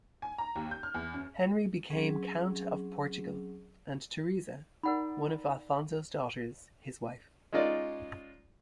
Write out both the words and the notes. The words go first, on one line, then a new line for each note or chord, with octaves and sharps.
Henry became count of Portugal and Theresa, one of Alfonso's daughters, his wife.
G#5
A#5
D#2
G6
F6
E2
F#2
F#3 C4 C#4 G#4
D#4 A#4 D5 F#5 B5
G#3 C#4 D#4 F4 D5